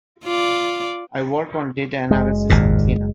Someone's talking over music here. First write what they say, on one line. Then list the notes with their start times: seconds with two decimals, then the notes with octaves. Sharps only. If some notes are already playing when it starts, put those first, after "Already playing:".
I work on data analysis and cleanup.
0.24 F4 D5
2.11 F#1 G#3
2.50 G#1 D#2 A#2